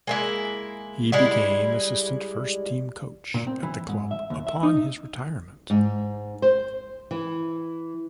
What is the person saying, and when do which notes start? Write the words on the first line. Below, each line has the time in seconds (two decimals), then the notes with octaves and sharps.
He became assistant first-team coach at the club upon his retirement.
0.07 G#3 A#3 E4
1.12 G3 G#3 E4
3.34 A#2
3.47 C4
3.63 E3
3.89 G#2
4.11 E5
4.30 D#2
4.47 E5
4.63 D#4
5.70 G#2
6.42 C5
7.11 E3